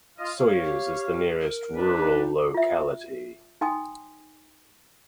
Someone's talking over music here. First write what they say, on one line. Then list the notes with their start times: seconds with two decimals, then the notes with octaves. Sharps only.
Soyuz is the nearest rural locality.
0.18 F4 D#5
0.38 C#5 F5
0.64 G4
1.41 A#4
1.75 D4 B4
1.96 D#4
2.54 F4 E5
3.61 D#4 G5 G#5 C6 D#6